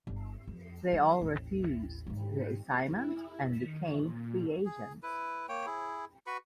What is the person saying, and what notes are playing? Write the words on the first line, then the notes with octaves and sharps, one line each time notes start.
They all refused the assignment and became free agents.
G1
F2
D#3 F#3
A1 D#2
G#2 D#3
E4
D#3
A#2
G#4
E4 B4
A#3 C#5 G5
E4 G#4
F#4 B4 B5 C#6